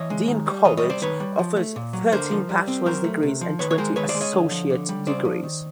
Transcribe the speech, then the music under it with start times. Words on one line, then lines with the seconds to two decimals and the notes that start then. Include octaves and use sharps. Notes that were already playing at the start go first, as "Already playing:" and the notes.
Dean College offers thirteen bachelor's degrees and twenty associate degrees.
Already playing: E3 C#5 D#5
0.10 G#3
0.28 D#3
0.47 G3
0.65 E3 C#5 D#5
0.77 C#5 D#5
0.83 G3
0.90 C5 D5
1.02 D#3 B4 C#5
1.20 G3
1.39 F3
1.56 A3
1.76 A#2
1.93 F#3
2.12 D3 A#4 C5
2.31 F3
2.49 G3
2.68 C4
2.86 F#3 A#4 C5
3.04 A3
3.23 C3
3.41 F3
3.59 D#3 B4 C#5
3.71 C#5
3.78 G#3 A#4 C5
3.96 D#3 B4 C#5
4.09 C5 D5
4.14 G#3
4.21 C#5 D#5
4.33 D3
4.51 F3
4.70 D3
4.89 G3
5.07 C#3 C5 D5
5.25 F3
5.43 D#3